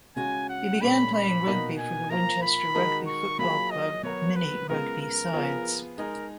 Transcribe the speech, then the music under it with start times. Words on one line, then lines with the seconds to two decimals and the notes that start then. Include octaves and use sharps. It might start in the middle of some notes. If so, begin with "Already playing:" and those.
He began playing rugby for the Winchester rugby football club mini rugby sides.
0.16 C#3 G#3 C#4 F#4 G#5
0.49 F#5
0.82 A#2 G#3 C#4 B5
1.14 B5
1.46 B2 A#3 D#4 F#4 A#4
1.78 G#5
2.10 F3 A#3 F4 A#4 A#5
2.42 B5
2.75 D#3 G#3 D#4 F#4 A#4
3.07 C#6
3.39 F#3 A#3 F4 G#4 B5
3.71 D#5
4.03 F#3 B3 F#4 A#4 C#5
4.36 B4
4.69 C#3 G#3 B3 F4 A#4
5.01 A#4
5.33 F3 B3 F4 G#4
5.97 G#3 D#4 G#4 A#4